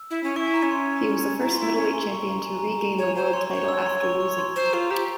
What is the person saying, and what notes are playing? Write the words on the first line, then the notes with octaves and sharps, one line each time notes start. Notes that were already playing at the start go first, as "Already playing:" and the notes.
He was the first middleweight champion to regain the world title after losing it.
Already playing: E6
E4
C#4
E4 C#6
G#5
A#5
C#4
C6
E4 A#5
F4
E4 C6
A#5
C#4
C6
C#6
A#5
G#5
A#5
A#5
A#5
C#5 G#5
C5 A#5
C#5 C6
C#5 C#6
E6
C6
C#6
C#6
C6
C5 C#6
A#5
F4 C6
G4 A#5